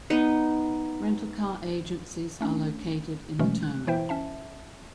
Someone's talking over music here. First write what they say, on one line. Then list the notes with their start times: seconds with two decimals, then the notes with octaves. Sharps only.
Rental car agencies are located in the terminal.
0.10 B3 D#4
2.41 A3 C#4 D4
3.39 B2 E3 F#3 G#3 A3 C#4
3.63 F#6
3.87 E3 E4 C5 E5 G5
4.09 C#4 E5 A5